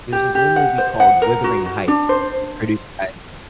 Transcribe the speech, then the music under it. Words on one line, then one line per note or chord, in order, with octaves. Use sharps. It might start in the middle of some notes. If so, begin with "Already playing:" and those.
there's this new movie called Wuthering Heights produced by
G4
G4
F#5
C5
F#5
A#4
F#4
F#4
D4
C5